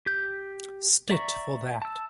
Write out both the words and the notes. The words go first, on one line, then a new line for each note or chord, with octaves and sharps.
Stitt for that.
G4 G6
D5 E5 A#5 C#6
A5 E6